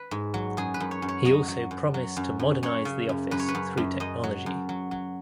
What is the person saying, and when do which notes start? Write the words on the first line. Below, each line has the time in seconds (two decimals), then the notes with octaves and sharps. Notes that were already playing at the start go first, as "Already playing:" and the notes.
He also promised to modernize the office through technology.
Already playing: B4
0.11 G#2
0.34 F#3
0.57 F#2 G#4
0.74 B4
0.80 F#2
0.91 C#5
1.02 F#2
1.08 C#5
1.25 F#3 D#5
1.48 F#3
1.71 F#2
1.94 F#3
2.17 F#2
2.39 F#2
2.63 F#2 C#5
2.85 C#3
3.09 F#2
3.31 F#2 B4
3.40 C#5
3.48 B4
3.55 F#2
3.77 F#2
4.00 F#2 D#5
4.24 F#3
4.46 F#2
4.69 F#3
4.91 F#3